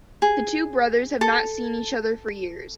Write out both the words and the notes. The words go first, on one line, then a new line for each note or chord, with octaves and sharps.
The two brothers have not seen each other for years.
G#4
A4